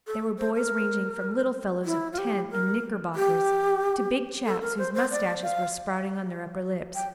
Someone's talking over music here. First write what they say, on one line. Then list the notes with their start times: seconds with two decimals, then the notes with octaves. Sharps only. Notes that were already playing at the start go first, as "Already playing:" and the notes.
There were boys ranging from little fellows of ten, in knickerbockers, to big chaps whose mustaches were sprouting on their upper lips.
0.07 A4
0.38 C5
0.55 A#4
1.85 E4
2.13 F4
2.18 G4
2.51 A#4
3.15 G4
4.45 A4
4.62 A#4
4.78 C5
4.94 C5
5.11 D5
5.43 F5
6.95 G5